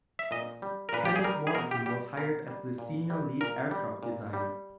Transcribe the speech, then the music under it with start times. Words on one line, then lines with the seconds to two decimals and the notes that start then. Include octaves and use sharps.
Kenneth Watson was hired as the senior lead aircraft designer.
0.19 E5
0.31 A#2 D#5
0.62 G3
0.89 A#4
0.93 A#2 B4
1.05 G4
1.16 G#4
1.24 G3 A#4
1.47 G#4
1.55 B2 A#4
1.71 G4
1.86 G3 G4
2.17 B2 A#4
2.48 G3
2.78 A#2
3.10 G3
3.41 A#2 A#4
3.71 G3
4.03 A#2
4.33 G3